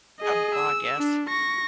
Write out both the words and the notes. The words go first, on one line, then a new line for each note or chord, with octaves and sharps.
Oh god, yes.
G#4 D#5
E6
D4
C#6 A#6